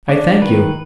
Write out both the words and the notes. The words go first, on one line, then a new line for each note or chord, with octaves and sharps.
'I thank you.
D4
D#3 B4